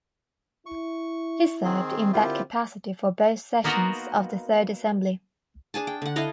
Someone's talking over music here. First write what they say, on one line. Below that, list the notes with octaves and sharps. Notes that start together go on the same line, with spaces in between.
He served in that capacity for both sessions of the Third Assembly.
E4 C#6
D#3 C4 G#4
D3 C4 E4 F4 G4 A#4
A#3 B3 D#4 F4 F#4 A#4
D4 G#4 G#5 A5
G5
D3 F#5
E4 A4 D#5 F5